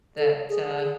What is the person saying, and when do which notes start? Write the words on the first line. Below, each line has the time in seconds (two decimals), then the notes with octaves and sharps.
that, uh,
0.18 A4
0.49 G#4
0.79 G#4